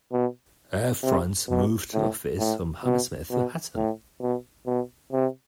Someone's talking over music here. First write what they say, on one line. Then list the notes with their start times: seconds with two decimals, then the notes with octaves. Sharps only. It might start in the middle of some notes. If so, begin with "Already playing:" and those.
Air France moved the office from Hammersmith to Hatton.
0.12 B2
1.03 C3
1.48 B2
1.94 A2
2.39 A2
2.85 B2
3.30 B2
3.76 A2
4.21 B2
4.66 B2
5.12 C3